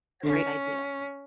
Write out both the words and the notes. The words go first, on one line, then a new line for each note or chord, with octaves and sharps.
a great idea.
D3 C#4